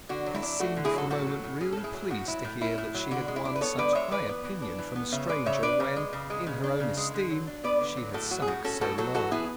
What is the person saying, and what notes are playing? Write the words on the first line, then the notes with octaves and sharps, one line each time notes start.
Tess seemed for the moment really pleased to hear that she had won such high opinion from a stranger when, in her own esteem, she had sunk so low.
D3 F#4
F#3
E4
D4
A3 F#4
D3
E4 G#4
F#3 F#4 A4
A2 F#4 A4
F#3
A2
C#4 G#4
A2 A4
E4 G#4
F#3
A2 F#4
F#3 E4
A2
C#4 E4
A2
F#3
D3 F#4
G#3
E4
D4
B4
B3 A4 C#5
D3 B4 D5
G#3 C#5 E5
E3 B4 D5
B3
E3
D4
E3
B3
C#3 C#5 E5
G#3 B4 D5
C#3 C#5 E5
D4 B4 D5
C#3
G#3
C#3
G#3
C#3
D4
C#3
G#3
D3
F#3
D4
B3 B4 D5
D3
F#3
A2 F#4 A4
F#3 F#4
G#4
A2 F#4
C#4 F#4 A4
A2 F#4 A4
F#3 F#4 A4
E3 F#4 A4
B3 E4 G#4